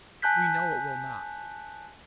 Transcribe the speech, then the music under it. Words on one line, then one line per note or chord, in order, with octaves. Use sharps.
We know it will not.
G#5 A5 F#6 G6 B6